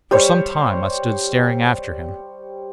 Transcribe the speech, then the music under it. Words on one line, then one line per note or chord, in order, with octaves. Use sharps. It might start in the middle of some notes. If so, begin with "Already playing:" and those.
For some time I stood staring after him.
G3 C5 C#5